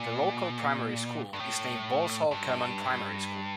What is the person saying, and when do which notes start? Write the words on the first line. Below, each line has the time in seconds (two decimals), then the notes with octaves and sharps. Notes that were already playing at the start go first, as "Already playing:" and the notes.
The local primary school is named Balsall Common Primary School.
Already playing: A#2
1.33 G2
1.39 A2
2.31 G2